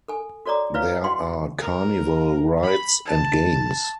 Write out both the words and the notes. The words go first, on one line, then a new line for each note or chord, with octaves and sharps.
There are carnival rides and games.
A4 G#5
F#4 A4 C#5 D5 A#5 D6
E4 B4 C#5 F5
F#4 F#5 G5 C6
A#4
B5
A5